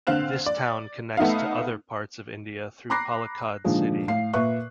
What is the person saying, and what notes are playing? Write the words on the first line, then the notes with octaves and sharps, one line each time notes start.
This town connects to other parts of India through Palakkad city.
D3 C4 F5 F#6 E7
D5
A3 B3 D#4 E5 F5
A#5 B5 D6 F#6 A#6 C7
A#2 D3 D#3 F3 G#3
A2 F5 C7
A#2 B4 E5 C#6 F#6